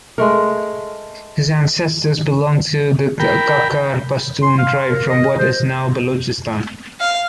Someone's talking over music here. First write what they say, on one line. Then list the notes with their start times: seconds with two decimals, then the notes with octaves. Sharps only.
His ancestors belonged to the Kakar Pashtun tribe from what is now Balochistan.
0.18 G#3 A3 A#4
3.20 A#4 G5 B5
4.42 C6
4.58 F5
4.89 A#4
5.09 D#5
5.38 C5
7.00 F5